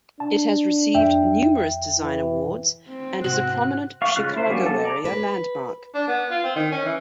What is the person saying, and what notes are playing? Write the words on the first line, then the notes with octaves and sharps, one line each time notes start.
It has received numerous design awards, and is a prominent Chicago-area landmark.
D4 A5
F2 E5 G5
E3
C4
G#2 C3 F#4 F#6
F5 C#6
C#3 G#3 F4 F6 F#6
E4 C5
F#3 G3 A#3 C#4 D4
A4
D5 A#5
B4
D4
B3
F4
C4
D#3
C#4
E3